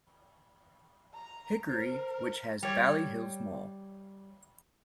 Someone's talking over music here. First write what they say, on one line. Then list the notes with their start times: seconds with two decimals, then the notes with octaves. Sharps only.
Hickory which has Valley Hills Mall.
1.14 A#5
1.70 A#4 C5
2.62 G3 C#5